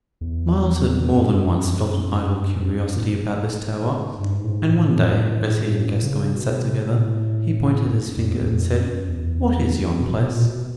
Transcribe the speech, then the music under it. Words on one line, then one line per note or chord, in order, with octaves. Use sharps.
Myles had more than once felt an idle curiosity about this tower, and one day, as he and Gascoyne sat together, he pointed his finger and said, "What is yon place?"
E2
F#2
G2
F2
F#2
G#2
G2
G#2
A2
G#2
A2
C#3
B2
C3
A2
G#2
F2
E2
F2
F#2
E2
B2
A#2
B2